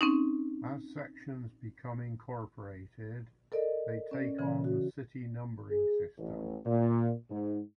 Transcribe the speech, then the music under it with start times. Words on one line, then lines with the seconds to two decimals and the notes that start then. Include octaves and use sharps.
As sections become incorporated, they take on the city numbering system.
0.01 C4 C#4 D#4
3.52 A4 A#4 D5 D#5
4.11 C#4 D5
4.38 C#3 E3 C#4
4.64 F#4
5.70 G#4
6.18 A1
6.66 A#2
7.30 G#2